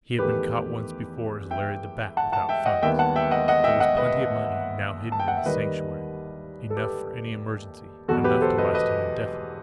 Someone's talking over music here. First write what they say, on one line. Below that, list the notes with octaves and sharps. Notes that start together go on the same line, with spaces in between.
He had been caught once before as Larry the Bat without funds! There was plenty of money now hidden in the Sanctuary, enough for any emergency, enough to last him indefinitely.
E2 D#3 A3 G4 B4
E5 G5
F#5 A5
F#5 A5
E5 G5
D#5 F#5
D#2 D#3 G3 B3 E5 G5
F#5 A5
E5 G5
D#5 F#5
D#5 F#5
E5 G5
D#5 F#5
B4 D#5
A5
G5
F#5
E5
D#2 D#3 G3 B4 D#5
A4
G4 B4
E2 B2 F#3 B3 F#4 A4
G4 B4
A4 C5
B4 D#5
B4 D#5